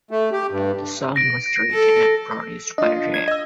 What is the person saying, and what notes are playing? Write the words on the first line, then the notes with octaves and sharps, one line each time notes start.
The song was written and produced by Rea.
A3
G4
G2
A#6 D7
A4
D4 F4 D#5
G#6
D#5 E6